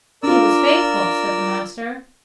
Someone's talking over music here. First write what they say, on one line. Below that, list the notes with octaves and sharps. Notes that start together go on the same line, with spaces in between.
He was faithful, said the Master.
D4 F4 A#4 D5 E6